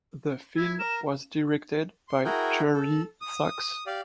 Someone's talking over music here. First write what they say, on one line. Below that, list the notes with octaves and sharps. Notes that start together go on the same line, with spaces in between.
The film was directed by Jerry Zaks.
E4 G#6
A#4 E7
C6
E4 F#4 G#4 A#4 G5
A4
D#6
G4 D5 F5